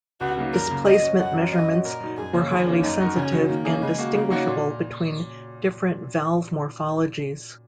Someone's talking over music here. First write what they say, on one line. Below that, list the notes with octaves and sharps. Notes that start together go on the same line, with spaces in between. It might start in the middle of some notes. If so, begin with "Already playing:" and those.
Displacement measurements were highly sensitive and distinguishable between different valve morphologies.
C#2 F#4
C#3 F#3 A#3 D#4
F#2 A#4
C#3 A#3
F#3 D#5
C#4 F#4
F#2 F#5
F#3 C#4 A#4
F#2 D#5
F#3 C#4 F#4
A#2 A#4
F#3 D#4
F#2 G#4
C#3 A#3 C#4
D#2 G#4
D#3 A#3 C#4
F#2 D#4
F#3 D#4 F#4 A#4
C#3 C#4
F#3 D#4
D#3 A#3
A#3 C#4 G#4
C#3 G#3
A#3 F#4
C#3 A#3
A#3 D#4 F#4 C#5
A#2